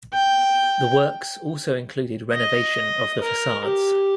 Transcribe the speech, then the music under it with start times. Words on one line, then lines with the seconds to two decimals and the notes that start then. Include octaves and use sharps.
The works also included renovation of the facades.
0.14 G5
2.33 D#5
3.21 A#4
3.65 G4